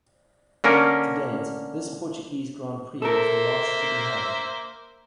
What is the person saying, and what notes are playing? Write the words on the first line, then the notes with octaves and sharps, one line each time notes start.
To date, this Portuguese Grand Prix was the last to be held.
D3 A#3 C#4 A#4
A#3 A4 A#4 C5 E5